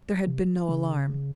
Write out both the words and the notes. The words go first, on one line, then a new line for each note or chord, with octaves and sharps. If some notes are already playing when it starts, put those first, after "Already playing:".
There had been no alarm.
C3
C#3